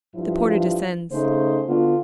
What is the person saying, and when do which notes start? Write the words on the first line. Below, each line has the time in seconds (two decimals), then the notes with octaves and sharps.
The porter descends.
0.15 G2 F3 E4
1.11 C#3 A3 D#4 C5
1.67 D3 B3 F4 F#4